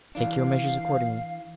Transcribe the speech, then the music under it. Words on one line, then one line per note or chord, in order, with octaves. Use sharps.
Take your measures accordingly.
E3 D4 F5